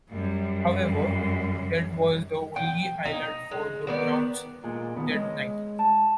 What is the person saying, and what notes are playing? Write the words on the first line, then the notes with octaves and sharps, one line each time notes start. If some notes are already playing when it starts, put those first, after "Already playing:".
However, that was the only highlight for the Browns that night.
F#2 G3
G5
D#4
G#3
D#3 B3 D5
A#2 G#3
D#3 B3
G#3 C#5 D#5
A5